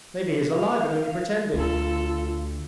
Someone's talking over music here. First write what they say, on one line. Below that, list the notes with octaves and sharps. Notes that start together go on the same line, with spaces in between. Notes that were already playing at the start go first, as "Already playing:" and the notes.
Maybe he is alive and only pretending!
F5
D2 F4 A4